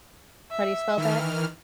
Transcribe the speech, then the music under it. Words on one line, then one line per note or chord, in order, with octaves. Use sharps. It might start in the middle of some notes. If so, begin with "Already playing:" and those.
How do you spell that?
E5
D#3 E3 F6